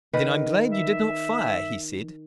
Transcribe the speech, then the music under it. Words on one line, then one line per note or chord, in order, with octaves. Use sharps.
"Then I'm glad you did not fire!" he said.
D#3 B4
E5